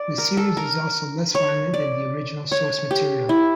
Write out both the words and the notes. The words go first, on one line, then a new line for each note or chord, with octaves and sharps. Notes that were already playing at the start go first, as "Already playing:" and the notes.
The series is also less violent than the original source material.
Already playing: D5
A#4
A4
A#4
C#5
D5
C#5
G4
E4